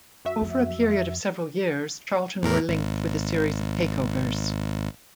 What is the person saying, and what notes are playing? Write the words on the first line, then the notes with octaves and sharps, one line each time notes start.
Over a period of several years Charlton were linked with a series of takeovers.
F#2 F#4 E5
F2
E2 A2 A#4
G#1